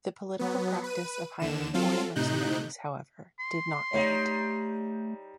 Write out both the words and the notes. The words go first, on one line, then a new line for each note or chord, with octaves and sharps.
The political practice of hiring foreign mercenaries, however, did not end.
F#3 B3
B4 D#7
D#2 D3 E7
F#3 C4 F4 A4
A2 C3 D#4 F#6 G6
C6
G3 A3 D#4 C#5